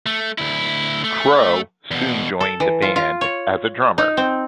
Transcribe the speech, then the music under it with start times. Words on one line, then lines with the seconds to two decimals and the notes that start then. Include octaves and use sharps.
Crowe soon joined the band as a drummer.
0.06 A3
0.38 D2 E4
1.04 A3
1.91 E2 B2
2.41 A4
2.60 E3
2.82 F4
2.96 F4
3.21 C#5
3.98 D#4
4.17 C4